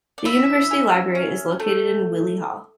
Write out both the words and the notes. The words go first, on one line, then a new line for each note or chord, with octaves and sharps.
The University Library is located in Wyllie Hall.
D5
E4 E5
C#4
C#4
A3